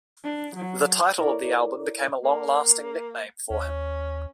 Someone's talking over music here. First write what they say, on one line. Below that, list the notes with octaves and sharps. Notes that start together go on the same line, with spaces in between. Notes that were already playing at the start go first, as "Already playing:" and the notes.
The title of the album became a long lasting nickname for him.
D4
F#3
E4 A4 A#4 C#5 D5
A#3
D#2 C#4